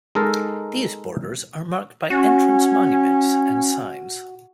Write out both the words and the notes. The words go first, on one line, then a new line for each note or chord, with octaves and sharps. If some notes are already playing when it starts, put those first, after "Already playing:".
These borders are marked by entrance monuments and signs.
G#3 D#4 A4 A#4
C#4 F#4